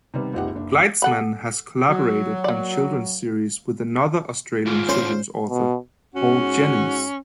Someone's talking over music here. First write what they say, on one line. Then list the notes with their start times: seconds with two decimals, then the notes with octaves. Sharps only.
Gleitzman has collaborated on children's series with another Australian children's author, Paul Jennings.
0.14 C3 D#3 G3 B3
0.33 F#1 C#2 C4 D#4 G4 F#5
0.55 F#1 D4
1.02 A4 F#5 B5
1.90 F#3
2.44 A#3 D5
4.66 D#2 G#2 F4
4.89 C#4 C5
5.50 B2
6.15 G#2 C#4 F#4